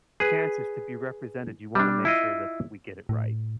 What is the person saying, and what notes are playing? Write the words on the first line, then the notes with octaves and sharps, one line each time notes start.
chances to be represented, you wanna make sure that we get it right."
G#4 B4
G3 D4
E4 F4 D#5
A2